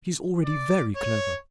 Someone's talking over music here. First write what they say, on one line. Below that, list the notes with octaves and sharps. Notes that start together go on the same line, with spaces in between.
She is already very clever.
D5
C#5